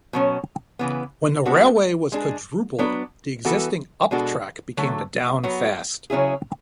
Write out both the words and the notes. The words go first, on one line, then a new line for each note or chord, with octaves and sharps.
When the railway was quadrupled, the existing up track became the down fast.
B2 F#3 C#4
C#3 E3 B3
G#3 B3 D4 F#4 A4
G#3 D4 G#4
F#3 B3 D4
E3 B3 F#4 A4
B2 G#3 D4 F#4 A4
D3 F#3 A3
F#3 B3 F#4
C#3 F#3 C#4 E4 G#4